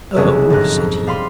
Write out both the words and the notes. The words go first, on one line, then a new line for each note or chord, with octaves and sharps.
"Oh!" said he.
F1 C#2 F#3 B3 G#4 E6
G1 G#2 D#4 F#6
F2
G3 F5 B5 C6 D#7